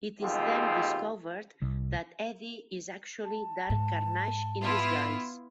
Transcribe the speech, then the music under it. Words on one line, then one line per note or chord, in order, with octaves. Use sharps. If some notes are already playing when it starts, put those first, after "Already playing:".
It is then discovered that Eddie is actually Dark Carnage in disguise.
D#2 B2 G#3 C4 F4 G4
C2
A5
G#2
B3 E4 F4